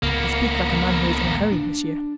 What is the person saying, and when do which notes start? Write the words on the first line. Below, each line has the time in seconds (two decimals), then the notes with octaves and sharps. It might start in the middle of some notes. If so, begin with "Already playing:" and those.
"I speak like a man who is in a hurry, monsieur."
0.03 C#2 A#3 B3
1.24 A#1 D#2
1.52 D4